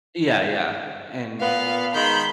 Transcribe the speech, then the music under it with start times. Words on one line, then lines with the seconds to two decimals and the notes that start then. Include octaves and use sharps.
Yeah, yeah, and
1.40 A#2 B3 F5
1.94 D#3 G#3 B5 G6